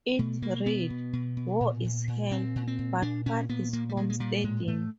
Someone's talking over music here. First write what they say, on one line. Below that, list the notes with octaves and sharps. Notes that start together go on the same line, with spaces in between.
It read: War is Hell, but what is homesteading?
B2 A3
B2 A#3
B2 B3
B2
B2
B2
A#2
A#2
A#2
A#2 C4
A#2
C4
A#2
A#2 D4
A#2 C#4
A#2 B3
A#2 A#3
G3
A#2 G#3
G#3
A#2 G3
A2 G#3
A2 A3